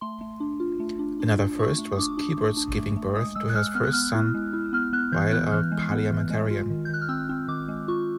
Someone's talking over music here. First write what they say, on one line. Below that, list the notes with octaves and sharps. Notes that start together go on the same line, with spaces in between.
Another first was Kyburz giving birth to her first son while a parliamentarian.
A3 C6
A3
D4
F4
A3
D4
D4
D4
A3 C#6
A3
D#6
D4 D6
D4
A3
D4
A3
A3
G#3 D#6
G#3 E6
F#6
G#3 F6
B3 F6
F#6
B3 F6
E4
G#3
E4
B3 F6
B3 F#6
E3 G6
B3 F#6
E3 F6
G#3
B3
E3
G#3
F4
D#3
G6
D#3 F#6
F6
C4 E6
C4
D#3 D6
G#3
F4 C#6